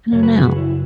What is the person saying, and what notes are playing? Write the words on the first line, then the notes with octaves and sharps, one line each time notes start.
I don't know.
F#2 C#3 F#3 C#5
B4
G#4
F#4
E4